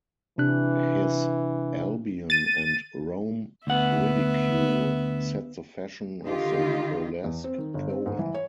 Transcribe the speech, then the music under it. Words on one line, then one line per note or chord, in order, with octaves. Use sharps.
His "Albion" and "Rome ridicule" set the fashion of the burlesque poem.
C3 E3 D4 F#6
A6 D#7
D2 B3 E5 F#5
D3 D#3 D#4 F4 G4
E2
C4
D#3
G1
C4
G#2
E3
C#5